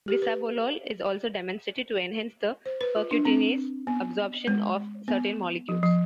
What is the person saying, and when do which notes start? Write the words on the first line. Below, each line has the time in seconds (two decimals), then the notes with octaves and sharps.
Bisabolol is also demonstrated to enhance the percutaneous absorption of certain molecules.
0.08 G4
0.22 B4
2.66 C5
2.81 B4
2.96 F4
3.11 D4
3.25 C4
3.87 B3
4.48 G#3
5.08 B3
5.69 F3
5.83 F3